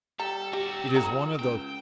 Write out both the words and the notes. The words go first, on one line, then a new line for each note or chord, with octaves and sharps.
It is one of those.
G3 A4 A#5 E6
F#4 G4 D5
F2 A4 C#5 A#5
C#2 G5